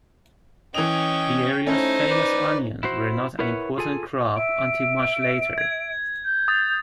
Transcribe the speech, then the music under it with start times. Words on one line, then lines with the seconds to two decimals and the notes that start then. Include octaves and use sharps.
The area's famous onions were not an important crop until much later.
0.74 E3 C#4 D#5 G5 F7
1.67 A3 C#4 D#4 E4 C5
2.10 B4 D5
2.83 E4 F#4 C5
3.39 E4 A#4 B4 C#5 E5 F#5
3.78 F4 G#4 A4 G#5
4.36 E5 D7
5.58 G#6
6.24 G6
6.48 D#6 A6